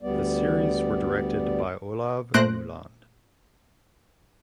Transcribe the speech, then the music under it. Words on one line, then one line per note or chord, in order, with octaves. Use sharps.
The series were directed by Olav Neuland.
D2 G3 B3 D5
A#2 A3 C5 F#6 A#6 D7